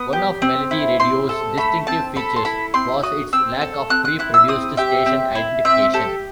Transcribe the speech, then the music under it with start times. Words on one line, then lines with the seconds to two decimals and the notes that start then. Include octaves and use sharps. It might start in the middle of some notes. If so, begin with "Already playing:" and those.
One of Melody Radio's distinctive features was its lack of pre-produced station identification.
Already playing: B3 D#6
0.13 G4
0.42 C4
0.71 E4
1.00 C4 C6
1.29 A4
1.58 A3 B5
1.87 C4 A5
2.16 A4 B5
2.36 C6
2.45 E4 B5
2.74 C4 C6
3.03 F#4 D#6
3.33 C4 E6
3.61 A4
3.90 C4 F#6
4.05 F#6
4.19 E4 F#6
4.34 E6
4.48 C4 D#6
4.77 G4 E5
5.06 C4
5.35 E4
5.65 C4 E5
5.93 G4 A4